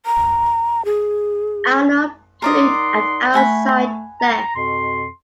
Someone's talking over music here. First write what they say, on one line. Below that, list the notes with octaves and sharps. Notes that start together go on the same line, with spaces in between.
Arnold played at outside left.
A#5
G#4
D#4 A#4 D5 D#5 F#5 C6
A3 F#5 G#5 B5
A#5
F2 B2 C6